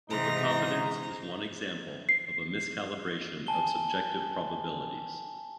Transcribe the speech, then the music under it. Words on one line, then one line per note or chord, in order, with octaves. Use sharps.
Overconfidence is one example of a miscalibration of subjective probabilities.
G#2 C3 E3 D#4 A#5
C7
G#5 A5 G7